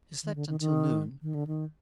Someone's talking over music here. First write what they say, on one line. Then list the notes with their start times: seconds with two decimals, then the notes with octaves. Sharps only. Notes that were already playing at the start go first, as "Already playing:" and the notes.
He slept until noon.
0.23 D#3
0.36 D3
0.48 D#3
0.60 D#3
1.22 D#3
1.34 D3
1.47 D#3